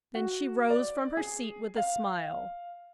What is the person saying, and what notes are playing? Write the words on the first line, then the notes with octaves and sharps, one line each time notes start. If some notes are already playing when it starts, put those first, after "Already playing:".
Then she arose from her seat with a smile.
F#4
D5
G#4
F5